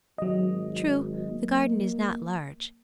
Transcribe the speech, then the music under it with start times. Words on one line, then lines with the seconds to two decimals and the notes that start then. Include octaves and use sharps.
"True, the garden is not large."
0.18 G#1 F#3 D#5
1.31 A#3